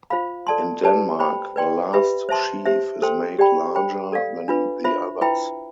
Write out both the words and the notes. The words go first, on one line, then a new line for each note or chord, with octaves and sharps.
In Denmark, the last sheaf is made larger than the others.
F4 C5 F5 B5
A4 D5 A5 C6
G4 B4 D5 A5
C5 G5 B5
B4 D5 G5 C6
G4 B4 E5 B5
C5 E5 A5 C6
G4 C5 E5
A4 C5 G5 C6
G4 D5 G5 B5
C5 G5 B5
A4 D5 F5
D4 F4 B4
F4 C5 E5 B5
E4 B4 E5 G5 B5